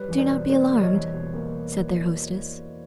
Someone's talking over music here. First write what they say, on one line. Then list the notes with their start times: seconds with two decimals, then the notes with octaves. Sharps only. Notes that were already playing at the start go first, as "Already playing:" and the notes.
"Do not be alarmed," said their hostess.
Already playing: G3 B4 C#5
0.08 E2
0.18 C5 D5
0.29 B2
0.49 A#3 C5 D5
0.71 G3
0.81 C#5 D#5
0.92 E2
1.13 B2
1.33 A#3